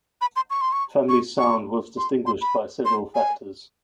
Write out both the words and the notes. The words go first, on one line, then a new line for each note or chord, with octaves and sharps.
Family's sound was distinguished by several factors.
B5
C6
C#6
C6
C#6
C#6
C#6
C6
C6
B5
C6
G#5